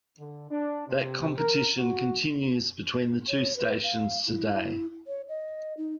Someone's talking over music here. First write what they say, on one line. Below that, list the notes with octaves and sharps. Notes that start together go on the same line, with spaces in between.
That competition continues between the two stations today.
D3
D4
C3
A#4
F#4
C#5
B4
F5
E4
E4
C#5
D#5
D#4